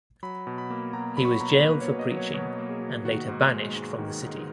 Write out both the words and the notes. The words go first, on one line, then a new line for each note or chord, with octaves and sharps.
He was jailed for preaching and later banished from the city.
F#3 B5
B2
B5
A#3
B2 A#5
F#3 B5
C#6
B5
B2 A#5
A#3 B4
C#5
B2
D#5
F#3
C#5
B2 C#5
A#3
G#4
B2
D#3 F#4
G#2
G#3
G#2
D#3
G#2